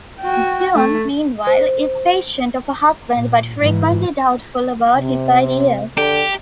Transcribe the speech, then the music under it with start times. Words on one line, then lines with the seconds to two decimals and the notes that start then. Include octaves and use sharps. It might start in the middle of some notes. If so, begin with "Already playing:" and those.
June, meanwhile, is patient of her husband, but frequently doubtful about his ideas.
0.20 F#4 G5
0.75 A3
1.47 C5
3.13 A#2
3.59 G#2 E3
4.95 C3
5.98 D3 G4